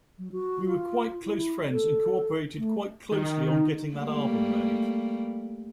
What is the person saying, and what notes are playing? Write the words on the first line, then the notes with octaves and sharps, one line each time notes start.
We were quite close friends and co-operated quite closely on getting that album made.
F#3
F#4
F4
E4
A4
A3
D#3
D#4
G3 A3 A#3